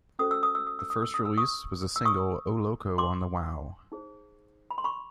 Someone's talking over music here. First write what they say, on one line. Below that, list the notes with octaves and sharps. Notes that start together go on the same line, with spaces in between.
Their first release was the single "O'Locco" on the Wau!
C#4 F#4 A4 C5 D#6
E6
D#6
E6
D#6
E6
D#6
E6
D#6
E6
C#6 D#6
E6
C#6 D#6
C6 D6
D#4 G#4 C5
B5
C6
B5 C#6